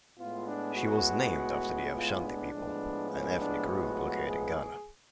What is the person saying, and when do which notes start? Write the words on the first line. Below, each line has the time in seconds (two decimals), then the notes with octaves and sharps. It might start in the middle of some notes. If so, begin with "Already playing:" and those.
She was named after the Ashanti people, an ethnic group located in Ghana.
0.18 A2 G#3 B3 F4
0.47 D4
0.76 F#4
1.93 F4
2.22 D4
2.52 A2 F3 G#3 B3
3.10 C#4
3.39 D4
3.69 F#4
4.27 G#4